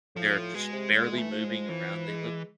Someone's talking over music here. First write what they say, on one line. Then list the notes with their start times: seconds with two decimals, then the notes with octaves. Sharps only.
They're just barely moving around, they look
0.15 A2 F3
0.35 A2
0.54 B2 G#3
0.73 C3
0.92 D3 G#3
1.12 E3
1.18 A3
1.31 F3
1.44 G#3
1.49 F3
1.69 E3 F3
2.08 G#3